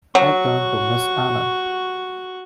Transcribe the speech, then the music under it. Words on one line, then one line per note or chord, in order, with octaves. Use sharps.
I turned to Miss Allen.
F#3 F#4 C#6